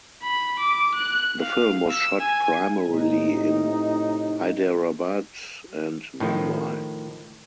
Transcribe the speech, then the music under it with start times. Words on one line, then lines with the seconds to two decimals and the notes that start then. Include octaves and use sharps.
The film was shot primarily in Hyderabad and Mumbai.
0.23 B5
0.60 D6
0.95 F#6
1.40 F5
1.90 E6
2.20 G#5
2.87 A2 C3 D#4
6.20 A2 D#3 F3